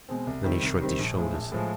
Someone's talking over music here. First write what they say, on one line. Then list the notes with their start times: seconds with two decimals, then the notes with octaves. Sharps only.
Then he shrugged his shoulders.
0.09 B2 G#3 C4
0.27 C2
0.44 C3 D#3 G3 C4
0.62 C2
0.80 C3 D#3 G3 C4
0.99 A#1
1.16 A2 F3 G#3
1.34 A#1
1.52 A2 F3 G#3